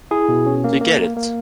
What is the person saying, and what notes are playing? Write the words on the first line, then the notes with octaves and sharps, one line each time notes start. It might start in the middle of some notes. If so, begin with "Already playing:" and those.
Do you get it?
E4 G#4
B2
C#4
A#3
A#3
A#3
A#3